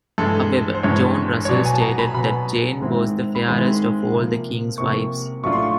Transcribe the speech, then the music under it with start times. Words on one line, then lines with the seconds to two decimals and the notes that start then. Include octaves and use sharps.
However, John Russell stated that Jane was the fairest of all the King's wives.
0.18 G2 E3 G#3 A4
0.74 C5
0.83 G2 E3 G#3 C#5
1.45 C#5
1.49 B2 F#3 B3 D5
1.65 G#5
1.74 A5
1.82 A#5
1.99 B5
2.14 B2 F#3 B3 B5
2.80 G#2 D#3 G#3 C4 E4
3.35 B5
3.47 G#2 D#3 G#3 C4 E4 C6
4.13 C3 F3 A#3
4.78 C3 F3 A#3 C#6
5.43 A2 F#3 A3 D4 F4 C#6
5.52 C6
5.63 C#6